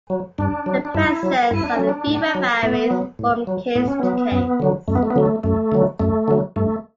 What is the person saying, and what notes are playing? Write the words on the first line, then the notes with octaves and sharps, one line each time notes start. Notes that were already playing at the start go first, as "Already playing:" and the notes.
The presence of a fever varies from case to case.
F#3
G2 D4
F#3
D4
G2 E4
F#3
G2 E4
D4
F#3 C#4
D4
A2
F#3
A2 B3
F#3
A2
F#3
A2 B3
C#4
F#3 B3
F#2
D3 F#3
F#2 A3
B3
A3
B3
D3 F#3 A3
F#2 A3
D3 F#3
F#2 A3
D3 F#3
G2 A3